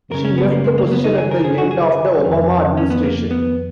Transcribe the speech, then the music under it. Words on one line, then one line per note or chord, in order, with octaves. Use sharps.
She left the position at the end of the Obama administration.
F#2 C#3 A#4
C#4
B3
A#3
G#3
A#3
B3
D#4
G#4
A#4
G#4
F#4
G#4
F2 D#3
C#4
B3
A#3
B3